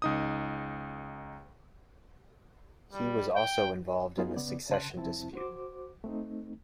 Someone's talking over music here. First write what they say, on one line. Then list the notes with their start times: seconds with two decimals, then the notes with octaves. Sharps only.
He was also involved in the succession dispute.
0.02 C#2 D#4 D#6
2.93 G3
3.36 G5
4.18 F#3 B3 D#4 F4 G#4
4.36 C#3 B3 D5
4.70 C#3 A5 C6 F#6
4.96 C2 F2 C4 E4 A5
5.33 F#4 C5 D6
6.04 A3 C4 D#4